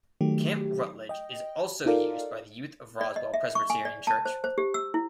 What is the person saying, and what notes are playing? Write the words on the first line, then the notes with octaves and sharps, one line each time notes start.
Camp Rutledge is also used by the youth of Roswell Presbyterian Church.
D#3 F#3 A3 G4
D#5 G5
D#4 F4 A4 A#4 D5 F5
D5
D#5
E5
C#6
G#5
D5
A5
C5
C5
G4
E6
E4